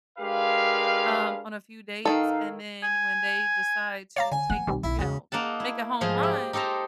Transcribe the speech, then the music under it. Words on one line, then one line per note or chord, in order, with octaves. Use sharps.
um, on a few dates and then when they decide to take, you know, make a home run,
G#3 D4 G4 A#4 B4 F5
D#3 G#3 D#4 A4 F5
G#5
C#5 D5 F5 A#5
D3 G#5
F3 A#3 F#5
B1 D#3 G3 C4
B1 E4
E2 C#3 G#3 F#4
A#3 D#4 F#5 A5
E4
G#2 F3 D#4 G#4
G4
D#4 G4 A4 C5 A#5